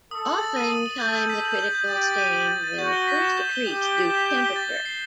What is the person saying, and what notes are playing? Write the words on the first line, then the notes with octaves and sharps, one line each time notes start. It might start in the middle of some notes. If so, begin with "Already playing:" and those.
Often time the critical stain will first decrease due to temperature.
A4 D#6
F#7
A6
D#7
D#6
F#7
A4 G6
G6
B6
F#7
G6
G6
G4 A6
A6
D#7
F#7
A6
A6
F#4 G6
G7
B6
E7
G6
G7
G4 G6
G7
B6
E7
G6
G7
A6
A6
C7